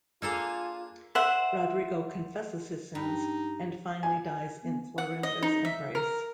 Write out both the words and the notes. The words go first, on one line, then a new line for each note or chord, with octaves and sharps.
Rodrigo confesses his sins, and finally dies in Florinda's embrace.
A#3 D4 F4 G#4 A4 F5 G#5 A#5
C5 E5 F#5
G2 D#4
G#5
B3
F#5
D#5
D#4
E5
A#4